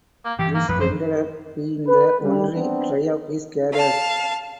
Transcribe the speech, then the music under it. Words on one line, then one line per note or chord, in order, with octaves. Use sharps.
This ended up being the only try of his career.
A#3
G2 E3 G4
A#3
A1 F#2 F3 B4
C5
B4
D2 D3 G3
B3 C4 D4
F5 A5